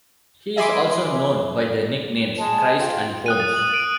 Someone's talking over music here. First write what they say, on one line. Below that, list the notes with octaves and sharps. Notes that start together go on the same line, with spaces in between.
He is also known by the nicknames "Christ" and "Holmes".
D#5 E5 G#5 B5 C6 D6
G#3 A5
F4 G5
D#6 F#6 D#7
A6
F#7
D7 D#7 F#7